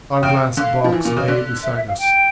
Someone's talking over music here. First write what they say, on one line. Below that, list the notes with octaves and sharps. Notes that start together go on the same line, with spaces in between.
Our glass box lay beside us.
C#3 G5
D3 F5
F3
E3
A#2
C#3
D3 D5
E5
E5
F5
G5